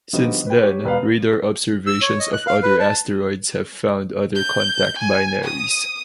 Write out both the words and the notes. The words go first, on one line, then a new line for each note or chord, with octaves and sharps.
Since then radar observations of other asteroids have found other contact binaries.
D3 F3 G3 B3 D#4 F#4
B4 G5
G3 G4 C#5
E1 B4 F5
E6
C#5
D#5
F#6
F5
B4
A5
G6
G#5
D#6